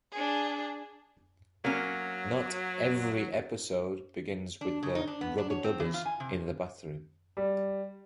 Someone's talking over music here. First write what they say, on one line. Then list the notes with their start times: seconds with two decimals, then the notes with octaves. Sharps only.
Not "every" episode begins with the Rubbadubbers in the bathroom.
0.12 D4 G#4
1.65 F#3 A#3 C#4
4.61 D4
4.83 C#3
4.95 D#4
5.07 D4
5.21 B3
5.38 D4
5.50 C#5
5.64 C4
5.80 E3
5.94 F4
6.05 G#5
6.20 C3
7.37 G3